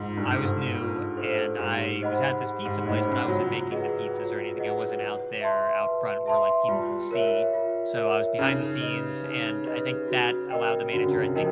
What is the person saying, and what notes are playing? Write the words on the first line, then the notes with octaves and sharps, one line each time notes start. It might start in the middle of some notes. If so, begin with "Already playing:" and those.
I was new and I was at this pizza place, but I wasn't making the pizzas or anything; I wasn't out there, out front, where, like, people could see, so I was behind the scenes and, I think, that allowed the manager, I think,
Already playing: G#2 F4
G2
A4 C5
G#2
F4
A4 C5
G#2 G4
C5 D#5 F#5 B5
G4
G#2
A2 C5 D#5 F#5 B5
C#3
F#3 F4
G#4 B4 D#5 F#5
F4
G#4 B4 D#5 F#5
B4
E5 A5 C6
B4
E5 A5 C6
G3 F4
A#4 C#5 E5
F4
A#4 C#5 E5
C#3 D#4
G4 B4 D#5
D#4
G4 B4 D#5
F#4
A#4 D#5 G5
D3 F#4
C#3
C3
C#3
F3 A#4 D#5 G5